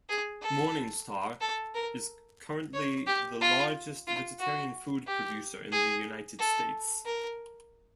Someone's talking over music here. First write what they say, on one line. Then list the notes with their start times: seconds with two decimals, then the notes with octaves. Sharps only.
Morningstar is currently the largest vegetarian food producer in the United States.
0.09 G#4
0.42 A4
1.41 A4
1.74 A#4
2.73 C#5
3.07 G4
3.41 F4
4.07 F4
4.39 F#4
5.07 G4
5.72 G#4
6.39 A4
7.05 A#4